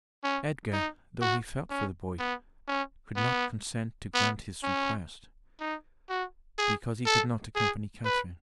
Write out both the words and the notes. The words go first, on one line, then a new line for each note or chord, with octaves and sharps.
Edgar, though he felt for the boy, could not consent to grant his request; because he could not accompany Catherine.
C#4
D#4
F#4
C#4
B3
C#4
B3
B3
C#4
D#4
F#4
G#4
A4
G#4
B4